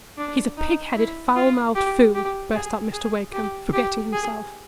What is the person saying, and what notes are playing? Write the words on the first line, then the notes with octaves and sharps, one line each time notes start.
"He's a pig-headed, foul-mouthed fool!" burst out Mr. Wakem, forgetting himself.
D4
D#4
E4
F4
G4
G4
G#4
G#4
G4
G4
G#4